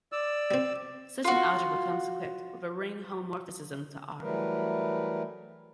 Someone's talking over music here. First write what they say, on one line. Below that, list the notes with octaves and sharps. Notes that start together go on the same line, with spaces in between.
Such an algebra comes equipped with a ring homomorphism to "R".
D5 E6
G3 C4
F4 F#4
E3 F#3 G3 A3 A#4 B4